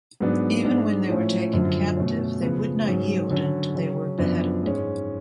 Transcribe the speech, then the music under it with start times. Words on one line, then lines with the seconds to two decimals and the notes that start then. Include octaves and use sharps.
Even when they were taken captive, they would not yield and they were beheaded.
0.20 G#2 F#3 B3 D4
0.64 G#2 G#3 D4
1.09 A2 F3 A3 C#4
1.53 F#2 D3 F3
1.97 B2 A3 C#4
2.42 C#3 F3 B3
2.86 G#2 F#3 C#4
3.30 D3 F#3 C#4
3.74 C#3 F#3 C#4
4.18 F#2 F3 B3 D4
4.63 G#2 G#3 C#4